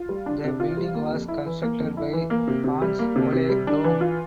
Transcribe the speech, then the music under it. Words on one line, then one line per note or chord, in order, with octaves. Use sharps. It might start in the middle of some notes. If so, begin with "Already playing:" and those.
The building was constructed by Hans Ole Blom.
Already playing: F4
G3
D4
C3
F4
G3
A#3
F2
E4
E3
A#3
F2
E4
E3
A#3
C3
C3
G3
A#3
C3
C3
G3
D4
E3
F4